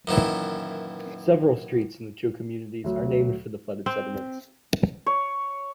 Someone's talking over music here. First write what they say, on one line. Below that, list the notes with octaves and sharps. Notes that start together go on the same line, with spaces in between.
Several streets in the two communities are named for the flooded settlements.
F#2 A#2 D#3 E3
D2 F#3
C4
C#5